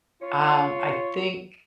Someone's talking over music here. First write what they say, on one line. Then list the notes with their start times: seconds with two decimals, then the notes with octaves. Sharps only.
i um, I think
0.22 F4 C#5